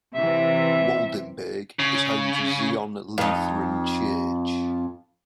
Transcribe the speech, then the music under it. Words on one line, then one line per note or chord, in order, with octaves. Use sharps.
Waldenburg is home to Zion Lutheran Church.
C3 E3 E5
C#3
F2 D#4